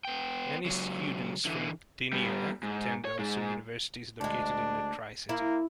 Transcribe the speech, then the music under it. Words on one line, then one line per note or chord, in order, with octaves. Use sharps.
Many students from Gdynia attend also universities located in the Tricity.
B3 G5
C#2 F#3
D3 E3
G3 B3
G#2
C#5
G#2 G#3
D2 G#3 D4
A#3 E4